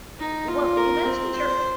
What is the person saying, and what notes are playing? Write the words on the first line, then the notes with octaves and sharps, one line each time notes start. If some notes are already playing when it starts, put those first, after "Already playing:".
Well, you mentioned your
D#4
F4
A#4
C4
C5